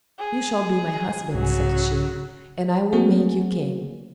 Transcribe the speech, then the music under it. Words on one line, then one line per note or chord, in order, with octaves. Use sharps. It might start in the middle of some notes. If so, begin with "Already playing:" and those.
"You shall be my husband," said she, "and I will make you King."
G#4
C2 G#2 C#3 F#3
F#3 A3 A#3 C4 F#4 G#4